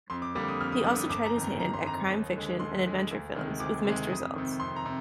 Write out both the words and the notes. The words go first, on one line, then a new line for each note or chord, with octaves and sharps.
He also tried his hand at crime fiction and adventure films, with mixed results.
F2 C6
D6
D3 G3 A#3 D6
D#6
F2 F6
D#6
D3 G3 A#3 D6
D#6
G1 D6
A#5
F2 D#3
A#5
G1 A#5
C6
F2 D#3 A#5
D#2
D3 G#3
D#2 C6
D3 G#3
D2
C3 D#3 G#3
D2 D6
C3 D#3 G#3
F2 D#6
C3 D#3
F2 C6
A#5
C3